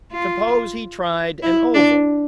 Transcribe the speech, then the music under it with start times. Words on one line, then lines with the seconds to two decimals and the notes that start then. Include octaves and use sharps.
Suppose he tried an oval.
0.12 F4
1.42 E4
1.74 D4